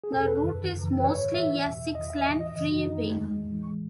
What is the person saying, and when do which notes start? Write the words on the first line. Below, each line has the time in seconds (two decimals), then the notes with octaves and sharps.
The route is mostly a six-lane freeway.
0.04 G#4
0.12 E2 B2 A4
0.28 B4
0.43 F#2 D#3
0.73 F#2 C#3 E3
1.00 B4
1.04 G#2 D#3 C#5
1.34 A2 E3 E5
1.65 E2 B2
1.95 E2 D#3 D#5
2.10 E5
2.26 A2 E3 D#5
2.41 D#5
2.56 F#2 C#3 E3 D#5
2.72 F#4
2.86 F#2 D#3 D#4
3.02 A3
3.17 E2 D#3 G#3
3.47 A2 E3